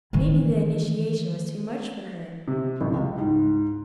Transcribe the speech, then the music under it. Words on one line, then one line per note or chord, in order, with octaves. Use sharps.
"Maybe the initiation was too much for her."
D#3 E3
C3
A1
C#2
G#2